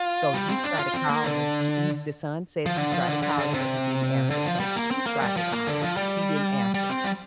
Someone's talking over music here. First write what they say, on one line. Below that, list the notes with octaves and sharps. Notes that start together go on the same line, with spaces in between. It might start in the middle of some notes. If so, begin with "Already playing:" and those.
So you try to call him." She he's the son said he tried to call him, but he didn't answer. So she tried to call him. He didn't answer.
Already playing: F4
G3
C4
D4
F4
C4
A#3
D3
F3
D3
F3
D3
D3
D3
C3
D3
F3
G3
A#3
C4
A#3
G3
F3
A#3
D3
F3
G3
G3
C4
G3